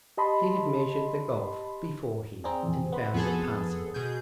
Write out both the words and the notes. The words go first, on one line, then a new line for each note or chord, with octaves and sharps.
He had measured the gulf before him and found it passable.
G4 D#5 A5 B5 C6
C4 G#4 D5 G5 A#5
F2 A#2 E3
B3 F#5 B5 C6
F2 B3 G#4 A4
B2 G#4 G6